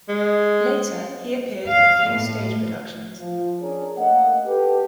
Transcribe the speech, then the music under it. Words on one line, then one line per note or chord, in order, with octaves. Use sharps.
Later he appeared in a few stage productions.
G#3
F5
A2
F3
C#4 D4 G#4 A#4 C#5
A3 A#3 D#5 F#5
G4 A4 B4